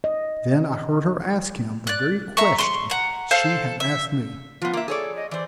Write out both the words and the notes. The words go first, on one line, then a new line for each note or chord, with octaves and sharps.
Then I heard her ask him the very question she had asked me.
D#5
D5 F#6
E5 A#5 C#6
C6 C#6
F#5 A#5
A4 C5 F5
E5
F3 B3 F4
A#3 E5
G#4 A4 C#5 D5
D#5
E3 C5 D5